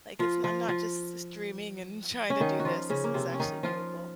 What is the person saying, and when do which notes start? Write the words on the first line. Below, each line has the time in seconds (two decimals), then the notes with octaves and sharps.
like, it's I'm not just streaming and trying to do this. This is actually doable."
0.19 F3 F4
0.44 F3 F4
0.69 F3 F4
2.30 C#4
2.40 D#3 D#4
2.60 F#4
2.65 F3 F4
2.90 C#3 C#4
3.04 A#3
3.14 C3 C4
3.34 C#4
3.40 D#3 D#4
3.63 F3 F4